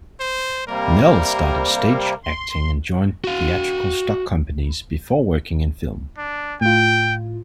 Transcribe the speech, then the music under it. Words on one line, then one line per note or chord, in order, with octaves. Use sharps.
Nell started stage acting and joined theatrical stock companies before working in film.
C5
C3 G3 A#3 A#4
C6
F#4 F5
D4
A2 F4 G5